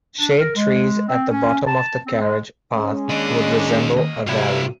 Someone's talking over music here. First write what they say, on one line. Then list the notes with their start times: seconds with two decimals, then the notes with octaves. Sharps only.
Shade trees at the bottom of the carriage path would resemble a valley.
0.17 D4
0.40 A#4
0.56 G#3
1.09 C4
1.30 C#4
1.67 A5
2.07 C4
2.20 G#3
2.75 G#3 C#4
3.09 D#2 D4 D#5
3.97 D2 D#5
4.27 A2 C3 F#3 G3 F4 E5